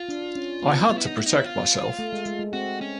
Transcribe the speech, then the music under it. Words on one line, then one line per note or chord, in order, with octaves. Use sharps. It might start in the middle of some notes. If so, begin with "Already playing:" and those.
I had to protect myself.
Already playing: F4
D4
C#4
B3
B3 F4
E4
D#4
E4
D#4
E4
F4
A3
G#3
G#3
G#3
C4 F#4
C#4